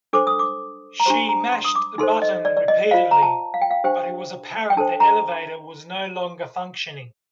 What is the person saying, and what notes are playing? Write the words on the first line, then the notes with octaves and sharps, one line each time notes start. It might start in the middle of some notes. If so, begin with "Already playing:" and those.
She mashed the button repeatedly, but it was apparent the elevator was no longer functioning.
D4 A4 C5 D6
D#6
D6
A#5
D4 G4 C5 C6
A#5
C6
D#6
D6
D#4 A4 C5 C6
D#5
D5
D5
D#5
F4 C5 F5
A#5
A5
F5
G5
F5
D4 G4 C5 G5
G5
D4 A4 C5 A5
A#5